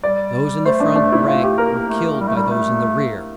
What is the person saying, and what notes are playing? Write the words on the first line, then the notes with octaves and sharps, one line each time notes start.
Those in the front rank were killed by those in the rear.
G3 D5
A3 C5
D4
D4
E4
A3 F4
G4
A#3 A#4
A3
G3
A3
G3
A3